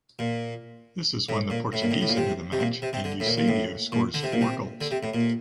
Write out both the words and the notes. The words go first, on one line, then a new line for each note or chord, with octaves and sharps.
This is when the Portuguese enter the match and Eusebio scores four goals.
A#2
A2
A#2
A2
A#2
A2
A2
A#2
C3
C3
A#2
C3
C3
D3
A2
A#2
A#2
A2
A#2
D3
C3
A#2
C3
D3
C3
A2
A#2